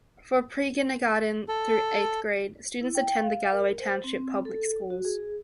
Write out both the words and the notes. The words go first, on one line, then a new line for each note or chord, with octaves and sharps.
For pre-kindergarten through eighth grade, students attend the Galloway Township Public Schools.
A4
E4
G5
F5
A#4
C5
C4
A4
F#4
G#4